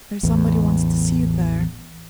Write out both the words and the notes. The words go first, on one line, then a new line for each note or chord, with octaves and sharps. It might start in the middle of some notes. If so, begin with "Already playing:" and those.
There's somebody wants to see you there.
A1 E2